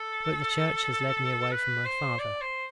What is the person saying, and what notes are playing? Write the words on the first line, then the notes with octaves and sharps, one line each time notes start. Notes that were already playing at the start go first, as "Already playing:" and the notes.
But the church has led me away from my father.
Already playing: A4
B4
C5
D5
C5